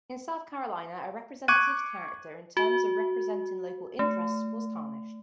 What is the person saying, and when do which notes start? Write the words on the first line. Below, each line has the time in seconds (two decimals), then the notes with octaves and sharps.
In South Carolina, a representative's character in terms of representing local interests was tarnished.
1.48 C#6 D6 F#6 G#6 D#7
2.57 F#4
3.99 A3